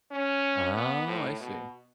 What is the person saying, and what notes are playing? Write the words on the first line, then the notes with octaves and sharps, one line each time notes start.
Oh, I see.
C#4
B3
A2
B2